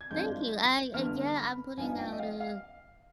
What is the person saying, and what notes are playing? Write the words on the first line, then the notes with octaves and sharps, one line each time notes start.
Thank you, I I yeah, I'm putting out a
G#6
G#1 G2 F3 G#3 D4 G6
G1 G2 D3 F6
B5
G2 F3 B3 D#4 G#5
G5
D#5
F5
F5